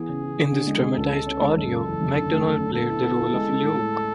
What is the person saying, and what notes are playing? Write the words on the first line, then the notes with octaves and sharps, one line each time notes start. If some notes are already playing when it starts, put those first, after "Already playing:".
In this dramatized audio, McDonald played the role of Luke.
Already playing: E3 B3 G#4
C#3
E3
D4
D3
G#3
G#3
C#2 A4
G#3
C#4
G#3
F#1 A4
C#3
E2
F#1
D3
A3
A3
D3
B3 A4
E4
B3
E4
G#3
G#3
A2
A2